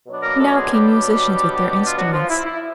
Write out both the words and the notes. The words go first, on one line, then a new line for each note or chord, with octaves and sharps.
Now came musicians with their instruments.
B2 F#3 B3 D4
A#3 A#4
A3 A4
G#3 G#4
G3 G4
F4
F#3 F#4
F3 F4
E4
E4